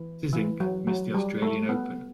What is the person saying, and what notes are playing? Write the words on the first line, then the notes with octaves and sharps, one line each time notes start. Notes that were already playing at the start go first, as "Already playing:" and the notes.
Czink missed the Australian Open.
Already playing: E3
E3
F#3
F#3
G3
A3
B3